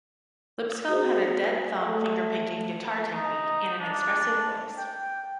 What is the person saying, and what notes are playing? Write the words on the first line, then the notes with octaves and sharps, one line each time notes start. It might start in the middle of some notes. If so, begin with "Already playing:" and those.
Lipscomb had a "dead-thumb" finger-picking guitar technique and an expressive voice.
F#4 G#4 C5
A3
D#4
D4
G5